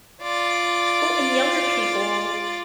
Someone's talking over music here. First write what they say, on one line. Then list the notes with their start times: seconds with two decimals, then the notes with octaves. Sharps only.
Well, and younger people,
0.23 F4 D5